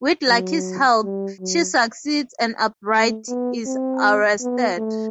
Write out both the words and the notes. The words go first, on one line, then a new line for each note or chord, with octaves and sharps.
With Lucky's help, she succeeds and Albright is arrested.
F#3
G3
F#3
A3
B3
C4
B3
A3